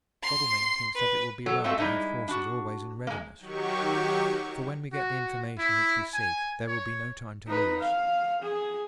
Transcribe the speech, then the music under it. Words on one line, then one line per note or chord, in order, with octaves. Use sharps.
Godalming thinks that it will be well to have horses always in readiness, for when we get the information which we seek there will be no time to lose.
C6
B4
F#3 A4
G#3 A3 C4 F4 F#4 A4
G3 G#3 D#4 E4 D#5
D4 F#4
G#3 A#3
D#3 F#3 G4 C#6
F#4
E4
G#5
C#5
D#4 B4
F5
G#4